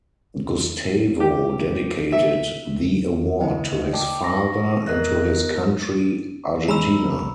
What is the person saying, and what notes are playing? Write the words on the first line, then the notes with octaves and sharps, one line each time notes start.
Gustavo dedicated the award to his father and to his country Argentina.
G4
E5
E4 B4 D#5
D#5
D5 G5 A5 D6
C#6 A#6
B3 A#4 D#5 F#6 A#6
G#3 C#4 A#5 B5 E6